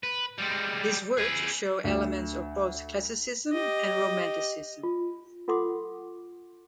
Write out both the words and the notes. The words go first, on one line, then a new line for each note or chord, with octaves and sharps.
His works show elements of both classicism and romanticism.
B4
G3 G#3
G#4 B4
D2 E7
G4 D#5
F4
F4 A4 F#5 C6 D6